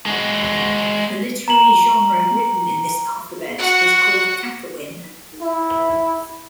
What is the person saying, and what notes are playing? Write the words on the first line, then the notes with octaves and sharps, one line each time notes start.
The literary genre written in this alphabet is called "Kakawin".
G#3 F#4
A#5 F#7
F#4 F#5
E4